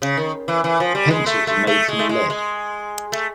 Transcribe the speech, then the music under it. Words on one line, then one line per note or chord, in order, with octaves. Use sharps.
Pencils are made from lead.
C#3
D#3
E3
E3
F3
G3
G#3
A3
A3
A3
G#3
A3
G#3
G#3
A3